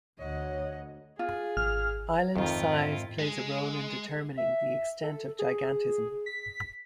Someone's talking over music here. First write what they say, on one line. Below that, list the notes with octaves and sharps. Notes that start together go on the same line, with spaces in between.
Island size plays a role in determining the extent of gigantism.
D2 C#5 D#5 F#5
F4 G#4
G#1 F6
F2 G#2 D#3 E4 F4
G#3
E5
A4
G#4
B6